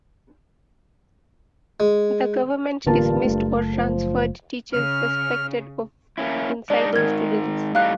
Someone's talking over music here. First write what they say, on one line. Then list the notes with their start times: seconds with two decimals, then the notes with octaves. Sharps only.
The government dismissed or transferred teachers suspected of inciting students.
1.80 G#3
2.87 A1 G2 D3 A#3 F4 A5
3.25 F#1 A3
3.73 F3
4.73 C#3 F6
6.18 A#3 C#4 E4
6.70 G#3 D4 D#4 D5
6.93 G#2 D#3 A#4 G#6
7.75 A2 G3 D#4 F5 F#6